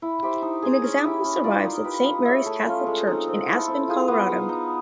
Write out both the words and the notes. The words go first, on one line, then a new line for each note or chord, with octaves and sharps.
An example survives at Saint Mary's Catholic Church in Aspen Colorado.
E4
G4 C5 E5
D#4
G#4 C5
C#4
E4 G4
C#4
F4 A#4 D5
D#4
G4 B4
D#4
G#4 C#5 E5
A3
C#4 F4
G#3
C4 D#4
C4
E4 A4
C4
F4 G#4
B3
D#4 G#4
D#4